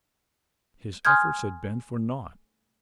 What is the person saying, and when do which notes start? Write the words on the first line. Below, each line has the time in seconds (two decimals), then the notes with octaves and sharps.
His efforts had been for naught.
1.05 G#5 C6 D#6 F6 G6 G#6